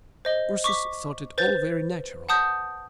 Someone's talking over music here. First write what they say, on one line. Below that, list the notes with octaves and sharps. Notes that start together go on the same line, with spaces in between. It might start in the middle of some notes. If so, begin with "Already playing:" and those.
Ursus thought it all very natural.
C5 D#5 G7
C#6 D6 B6
B4 C5 G6 A6
F#5 A5 D#6 G6